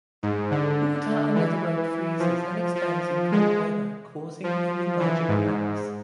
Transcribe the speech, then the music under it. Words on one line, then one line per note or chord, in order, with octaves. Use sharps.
Water under the road freezes and expands in cold weather, causing and enlarging cracks.
G#2
D3
E3
F3
F3
G#3
F3
E3
G#2